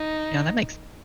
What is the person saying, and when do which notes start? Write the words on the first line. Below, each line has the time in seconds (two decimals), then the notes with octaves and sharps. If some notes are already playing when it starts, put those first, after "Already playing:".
Yeah, that makes
Already playing: D#4